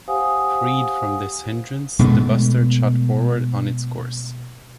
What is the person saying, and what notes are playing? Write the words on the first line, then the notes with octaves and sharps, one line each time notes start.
Freed from this hindrance, the Buster shot forward on its course.
G4 C5 F5 F#5 G#5 D#6
B2 G#3 A3 B3